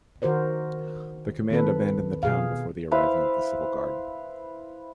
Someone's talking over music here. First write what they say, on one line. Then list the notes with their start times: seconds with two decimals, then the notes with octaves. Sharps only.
The command abandoned the town before the arriving of the Civil Guard.
0.22 D#3 F#4 A#4 C5 D5
1.50 D#3 C4 A4 B4
2.23 B2 G#4 F5
2.91 E4 B4 C5 F5